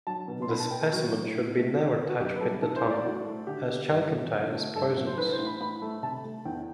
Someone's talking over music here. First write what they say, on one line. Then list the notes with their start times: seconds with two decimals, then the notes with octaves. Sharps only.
The specimen should be never touched with the tongue, as chalcanthite is poisonous.
0.07 F#3 A5
0.28 B2
0.42 C6
0.49 B2 B5
0.60 A5
0.70 B3 G5
0.81 A4
0.92 F#3 F#4
1.13 A2
1.35 A2
1.56 A3
1.77 D3
1.98 B3
2.09 F#4
2.20 F#2 G4
2.36 B4
2.41 G3 A4
2.62 E3 A4
2.76 C5
2.84 A2
2.90 D5
3.05 A2 F#4
3.26 A3
3.47 D3 G4
3.69 B3
3.90 G2
4.11 F#3
4.33 D3
4.54 A3
4.75 G2 A4
4.96 F#3
5.07 C5
5.17 E3 B4
5.32 C5
5.39 A2
5.46 B5
5.61 A2 B5
5.82 A3
6.03 C3 A5
6.24 A3
6.45 E2 G5